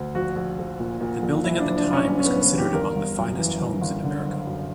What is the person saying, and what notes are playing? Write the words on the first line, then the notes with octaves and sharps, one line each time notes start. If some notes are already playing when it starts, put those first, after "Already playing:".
The building at the time was considered among the finest homes in America.
Already playing: D2
A#1 F#4
A#1
A#1
A#2
A#2
A#1
F#1 E4
D4
F#1
D4
F#1
C#4
F#1 C#4
C#4
B3
F#1
B3
E2
G4
G1 A#4
G1
F#2
E3
G1
G1
D3
F#1
F#2